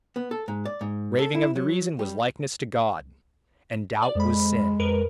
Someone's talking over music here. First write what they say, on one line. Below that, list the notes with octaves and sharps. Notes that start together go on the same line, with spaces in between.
Raving of the reason was likeness to God, and doubt was sin.
B3
A4
G#2
D5
G#2
A4
E4
F#3
G3
D5
F2 G#3 B5
F2 A#4 B4